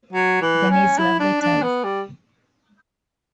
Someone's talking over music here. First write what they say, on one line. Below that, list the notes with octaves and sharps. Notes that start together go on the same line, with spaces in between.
Gurney's "Love Letters".
F#3
E3
C#4
E4
D4
D4
B3
G3